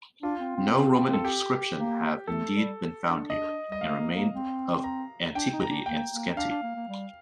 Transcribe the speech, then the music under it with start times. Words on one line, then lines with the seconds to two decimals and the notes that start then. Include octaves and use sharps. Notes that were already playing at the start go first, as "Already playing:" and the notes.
No Roman inscriptions have, indeed, been found here, and remains of antiquity are scanty.
0.23 D4 F4
0.40 C4
0.56 C4
1.13 A4
1.25 G4
1.76 A#3
2.27 A3 A4
2.53 G3
3.04 D4
3.30 D#5
3.71 G3 D#5
3.81 A3 F5
3.98 A#3
4.15 A#3
4.32 C4
4.84 A#5
5.35 D4 G5
5.52 D#4
5.60 A#5
5.69 D4
5.86 A#3 G5
6.12 A#3
6.37 D4 F5
6.50 D4
6.63 A#3
6.76 A#3
6.88 G3